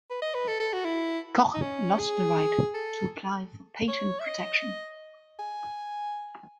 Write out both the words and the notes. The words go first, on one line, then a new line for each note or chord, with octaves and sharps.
Koch lost the right to apply for patent protection.
B4
D#5
B4
A4
A4
F#4
E4
D#4
C#4
G#4
A4
C#5
E5
D#5
G#5